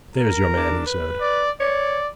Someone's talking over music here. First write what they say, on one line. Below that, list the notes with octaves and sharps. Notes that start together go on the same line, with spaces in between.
'There's your man,' he said.
A#4
D4
B4
D5
C#5 D5